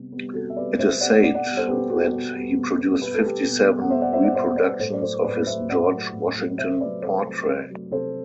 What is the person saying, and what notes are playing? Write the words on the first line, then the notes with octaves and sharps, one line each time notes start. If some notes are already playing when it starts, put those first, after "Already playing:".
It is said that he produced fifty-seven reproductions of his George Washington portrait.
Already playing: C3 G3 B3
G3 B3
C3 F#4 A4
E5
G3 B3 B4 D5
C3 C5 E5
G3 B3 D5 F#5
B2 D5 F#5
D5 F#5
G3 B3
A4 C5
B2 G4 B4
G3 B3 F#4 A4
B2
G3 B3
B2
B3
G3
B2 B4
A4
G3 B3 G4 B4
B2
G3 B3
F#5
B2 C5 E5
D5 F#5
G3 B3 C5 E5
D5 F#5
B2 C5 E5
G3 B3 B4 D5
A2 A4 C5
D5
F#3 A3 A4 C5
A2 B4 D5
F#3 A3 C5 E5
A2 D5 F#5
F#3 A3
A2
F#3 A3
C3 C5 E5
F#3 A3 B4 D5
C3 A4 C5
F#3 A3
C3
F#3 A3
C3 A4 C5